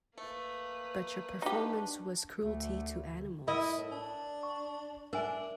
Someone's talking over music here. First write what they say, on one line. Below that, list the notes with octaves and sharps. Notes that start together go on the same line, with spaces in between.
But your performance was cruelty to animals.
A3 A#3 B4
D4 D#4 G4
D2 D3 A3
E4 A#4 D#5
A2
D4
C#6
D4 A#4 E5 G#5